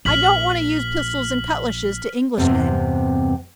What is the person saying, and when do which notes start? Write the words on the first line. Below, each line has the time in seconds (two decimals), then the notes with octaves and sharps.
I don't want to use pistols and cutlashes to Englishmen.
0.05 A#1 F6 B6 F#7
2.38 E2 G2 C3 B3 C4